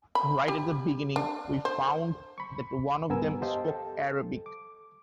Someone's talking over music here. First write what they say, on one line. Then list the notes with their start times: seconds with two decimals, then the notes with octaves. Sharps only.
Right at the beginning, we found that one of them spoke Arabic.
0.15 B5
0.48 G4
1.16 D4
1.65 C5
2.38 B5 C#6
3.09 C2 G2 B3 A#4 G#5 E6
3.42 G4 C5 D#5 F5 G5 A5
3.64 A4
4.46 D6